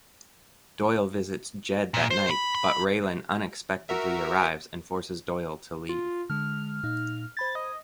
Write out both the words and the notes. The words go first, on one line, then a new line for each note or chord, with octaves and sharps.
Doyle visits Jed that night but Raylan unexpectedly arrives and forces Doyle to leave.
A#2
C5
B5
B5
F#4 A#4 E5
F4
D3 G#3 F6
A#2 D#4
C5 B5 G#6 A6
D#5